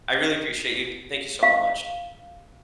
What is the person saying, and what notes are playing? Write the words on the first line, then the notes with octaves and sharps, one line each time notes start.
I really appreciate you, thank you so much.
F5